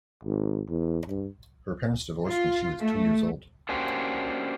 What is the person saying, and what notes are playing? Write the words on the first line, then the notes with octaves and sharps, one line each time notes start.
Her parents divorced when she was two years old.
G#1
E2
G2
F4
A3
A#3 C#4 D4 F#4 G4 C5